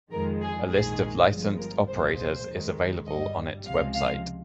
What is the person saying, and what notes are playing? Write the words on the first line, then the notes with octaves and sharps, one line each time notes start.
A list of licensed operators is available on its website.
F2 D#3 G#3 A#4
G#4
A#1 G#2 D#3 G#3 G#4
G1 G2 F3 G#3
A#4
C2 A#2 F3 G#3 C5
C5
D#2 D#3 G#3
G1 G2 G3 D#5
C#2 C3 F3 G#3 F5
F5